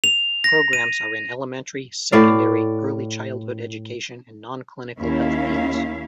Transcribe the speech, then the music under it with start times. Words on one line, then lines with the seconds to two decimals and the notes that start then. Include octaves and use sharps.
Programs are in Elementary, Secondary, Early Childhood Education and non-clinical health fields.
0.04 F7
0.44 A#6
0.73 D#7
2.12 A2 D5 F5
4.99 D#2 C#4 E4 E5 F5